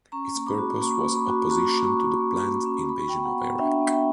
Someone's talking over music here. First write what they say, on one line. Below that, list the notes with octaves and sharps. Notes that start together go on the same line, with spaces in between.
Its purpose was opposition to the planned invasion of Iraq.
C#4 A#5 C#6
A#3
B5 D6
F#4
A#3 A#5 C#6
A#3
B5 D6
F#4
F#4 A#5 C#6
A#3 D6
A#5 C#6
F#4
A#3
A#3
C#4
F#4 B5
C#6
B3 G5 B5
F#5 A#5
B3
D4 E5 G5
B3
E5 G5